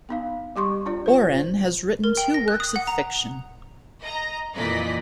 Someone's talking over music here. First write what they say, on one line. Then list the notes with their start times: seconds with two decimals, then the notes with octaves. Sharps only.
Oren has written two works of fiction.
0.09 B3 D#4 F5
0.56 G3 G4 C6 C#6
0.86 D4 F4 D5
1.06 F4 C5
2.04 A#4
2.17 G5
2.34 A#6
2.48 F#6
2.60 D#6
2.76 F#5
2.87 A#5
4.01 D#5 A#5
4.55 F2 A#2 E3 D5 D#5 B6